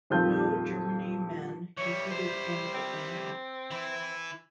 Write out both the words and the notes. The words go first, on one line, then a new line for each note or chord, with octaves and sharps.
No Germany men competed in Atlanta.
D#1 F2 D#3 C4 F4 G6
E3 G3 C#5
C5
C4
E3 E4